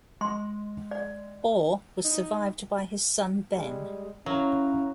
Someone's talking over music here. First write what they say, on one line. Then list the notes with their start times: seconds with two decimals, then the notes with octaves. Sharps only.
Orr was survived by his son Ben.
0.21 G#3 C6
0.91 D5
2.04 D#4
3.55 G3 G#3
4.26 F#3 C#4 E4 F5 A#5